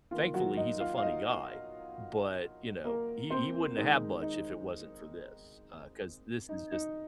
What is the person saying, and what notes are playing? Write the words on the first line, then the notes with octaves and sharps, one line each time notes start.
thankfully, he's a funny guy, but, you know, he he wouldn't have much if it wasn't for this, uh, 'cause this is just
D#3 A#3 F4
F#3 F#4
D#4 D#5
F4 F5
F5
D#4 D#5
A#3 A#4
C4 C5
D#3 G#3 D#4
D#4
D#4
D#4